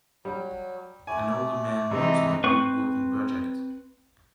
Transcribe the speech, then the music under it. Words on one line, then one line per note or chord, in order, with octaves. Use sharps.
An older man works on a woodworking project.
F#3 G3
A3 D5 G#5
C3 E3 G#3 C4 D#4
C4 B4 C#6